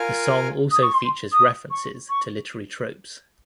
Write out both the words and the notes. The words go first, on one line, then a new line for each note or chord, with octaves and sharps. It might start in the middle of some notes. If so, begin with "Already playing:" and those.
The song also features references to literary tropes.
Already playing: F4 A#4 F5 G#5
D#6
C#6
C6
D#6
C#6
C#6